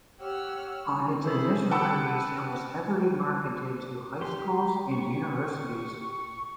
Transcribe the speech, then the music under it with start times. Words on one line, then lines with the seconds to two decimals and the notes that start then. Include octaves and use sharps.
On its initial release it was heavily marketed to high schools and universities.
0.19 G4 C#5 F#5 E6 F6
0.89 G3
1.21 E4 G#4 A4 C5 B5
1.71 F#5 G5 A5 B5 E6
4.21 G4 C6
4.91 C#6